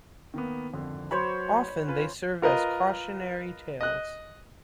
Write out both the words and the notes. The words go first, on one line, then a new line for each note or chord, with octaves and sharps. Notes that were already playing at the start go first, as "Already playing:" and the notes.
Often they serve as cautionary tales.
D#3 A#3 B3
G#1 F2 D3
F#3 F#4 C5 C#5 B5
C#4 F4 B4
F4 A#4 B4 D#5
D#5 F#6